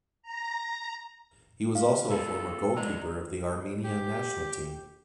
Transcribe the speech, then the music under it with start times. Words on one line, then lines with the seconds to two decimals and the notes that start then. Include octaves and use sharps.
He was also a former goalkeeper of the Armenia national team.
0.22 A#5
1.75 F5
2.11 E4 F4 G#4 A4
2.76 E3 G#3 D5 A#5
3.84 G4